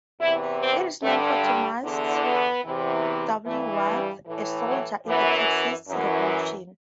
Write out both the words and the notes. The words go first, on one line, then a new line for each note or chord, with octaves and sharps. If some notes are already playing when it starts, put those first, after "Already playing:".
It is named for Thomas W. Ward, a soldier in the Texas Revolution.
E2 C3 E3 E4
C4
G2 D3 A3
G3
E2 D3
B3
E2 C3 E3
G2 E3 A3
G3
A2 E3
F#3
F#2 E3 B3
F#2 E3